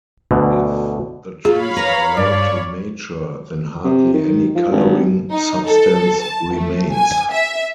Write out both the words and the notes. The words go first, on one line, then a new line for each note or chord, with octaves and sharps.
If the trees are allowed to mature then hardly any colouring substance remains.
D2 B2 D3
F4 G#4 C#5 F5 B5
B4 A#5
G2 C#5 D5
C3
D#3
F3
G#1
D#4
A4
A5
A3
G#5
E5